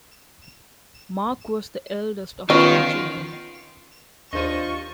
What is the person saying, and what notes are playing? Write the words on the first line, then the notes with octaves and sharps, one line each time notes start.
Mark was the eldest of three children.
D#3 B3 C#4 F4 D#5
D#2 D4 F4 C5 D#5 C#6 D#7